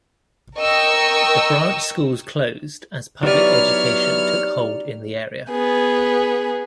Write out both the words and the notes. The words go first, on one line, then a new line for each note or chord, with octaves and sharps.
The branch schools closed as public education took hold in the area.
A#4 D#5 G5 C#6 E6
F#3 B3 D#4 E4 G4 C#5 D5 F6
B3 G#4